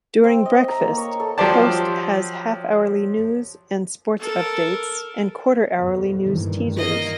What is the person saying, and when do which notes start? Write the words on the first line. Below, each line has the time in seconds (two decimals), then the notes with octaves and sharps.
During breakfast Coast has half-hourly news and sports updates and quarter-hourly news teasers.
0.24 C4
0.45 D#5
0.68 A#5
0.80 A#3
0.97 C#5
1.20 A4
1.38 F3 F#3 G4 C5 D5 A5
4.19 A4 A#4
5.75 F2 B2
6.26 G2 A#2 D#3 E3
6.77 A#3 D#5